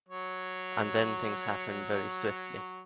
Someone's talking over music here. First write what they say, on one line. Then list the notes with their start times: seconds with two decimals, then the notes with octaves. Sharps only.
And then things happened very swiftly.
0.08 F#3 C#5